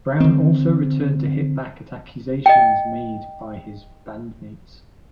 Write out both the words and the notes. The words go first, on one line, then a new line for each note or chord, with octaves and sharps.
Brown also returned to hit back at accusations made by his bandmates.
D3 C4
D#5 G5